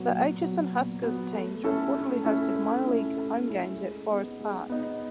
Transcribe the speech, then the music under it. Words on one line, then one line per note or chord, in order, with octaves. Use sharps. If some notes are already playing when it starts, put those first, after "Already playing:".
The Atchison Huskers teams reportedly hosted minor league home games at Forest Park.
Already playing: A#2 F#3 B3
A#2
F#3 B3
A#2
F#3 B3
A3
C#4 E4 A4
A3
C#4 E4 A4
A3
C#4 E4 A4
A3
C#4 E4 A4
G#3
B3 D#4
G#3
B3 D#4